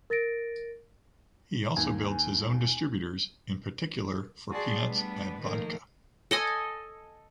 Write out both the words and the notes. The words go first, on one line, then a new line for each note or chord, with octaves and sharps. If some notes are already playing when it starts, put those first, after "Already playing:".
He also builds his own distributors, in particular for peanuts ad vodka.
A#4 A6 A#6 D7
D#2 D#3 G#5
F#4 G#4 D5 A5 C6
G3 A3 B3 D4 B4
D#3 F3 A3 A#3
A4 D#5 G#5